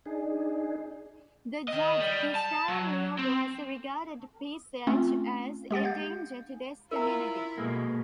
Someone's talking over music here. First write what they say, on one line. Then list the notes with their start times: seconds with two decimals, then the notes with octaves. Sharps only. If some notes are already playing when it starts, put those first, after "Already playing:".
The judge Israel Leo Glasser regarded Pesach as "a danger to this community".
0.06 D4 D#4 G#4
1.68 D#3 D#5
2.00 G3
2.35 A5
2.68 F#3
3.19 C4
4.87 A3 C4 C#4 F4
5.71 G#3 G4 F#5 A6
5.84 F5 G6
6.91 E4 F4 A#4 A#5
7.58 B2 G#3 A#3